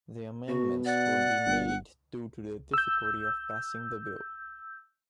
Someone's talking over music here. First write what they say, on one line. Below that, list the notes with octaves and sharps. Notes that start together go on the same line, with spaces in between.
The amendments would be made due to the difficulty of passing the bill.
B2 F#4
D5 F#5
G1
E6 G6